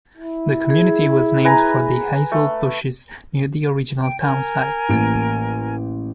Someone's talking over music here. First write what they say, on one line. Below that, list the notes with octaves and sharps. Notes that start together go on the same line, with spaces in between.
The community was named for the hazel bushes near the original town site.
E4
G#4
B4 G#5 A#5
A3
G5
A#4 G#5
A1 A#3 D7